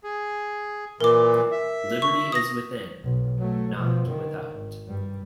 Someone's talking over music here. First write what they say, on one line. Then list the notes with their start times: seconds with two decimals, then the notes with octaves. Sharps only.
Liberty is within — not without.
0.04 G#4
1.01 A#2 E3 A#4 D6
1.51 E5
2.02 C#6
2.32 D#6 A#6
3.03 B1
3.37 F#3 A3
3.77 B2 F3
4.07 D3 D#3
4.54 G#1
4.87 G2 G3